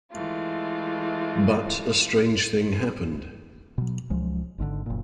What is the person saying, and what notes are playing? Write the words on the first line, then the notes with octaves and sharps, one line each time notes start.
But a strange thing happened.
E3 G#3 A3 F4
B2 F#3
C#2 F3 F#3 G#3
G#1 G#2 B2 D3
F#1 A#2